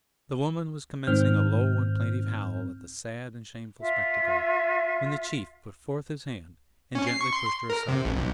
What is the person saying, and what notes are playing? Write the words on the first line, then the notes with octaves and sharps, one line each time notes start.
The woman was commencing a low and plaintive howl at the sad and shameful spectacle, when the chief put forth his hand and gently pushed her aside.
G#2 D#3 C4 F6 G6
F4 E5
C#4
C7
C#6
C6
A#4
C3
A1
B1